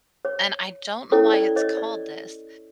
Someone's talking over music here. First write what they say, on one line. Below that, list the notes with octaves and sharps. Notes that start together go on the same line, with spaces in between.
And I don't know why it's called this.
C#5
C#4 E4 A4 C#5
D5
C#5 D#5
D5